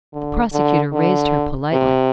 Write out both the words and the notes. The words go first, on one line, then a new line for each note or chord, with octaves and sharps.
The prosecutor raised her politely.
D3
D3
D3
C3